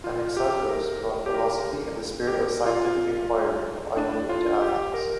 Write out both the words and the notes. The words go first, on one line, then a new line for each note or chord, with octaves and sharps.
Anaxagoras brought philosophy and the spirit of scientific inquiry from Ionia to Athens.
F4
G4
A#4
G4
A#4
G4
A#4
F4
D4
F4
G4
A#4